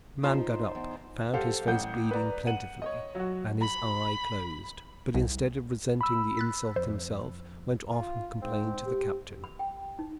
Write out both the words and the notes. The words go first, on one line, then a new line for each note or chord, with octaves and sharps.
The man got up, found his face bleeding plentifully, and his eye closed; but instead of resenting the insult himself, went off and complained to the captain.
D#4 F4 C5 F5 A5
E2
G4 A4 C5 F5 F#5
A1 F#5 G6
B4 D5 A#5
F#5 D#7 F#7
C#5 D#5
F#3 F#4
B5
C2
B5 E6
F#6 A6 B6
F2 C5
F4
G#2 C4
G4
B5
G5
D#4